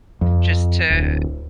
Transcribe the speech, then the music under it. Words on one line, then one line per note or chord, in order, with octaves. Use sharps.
just to
F2
D1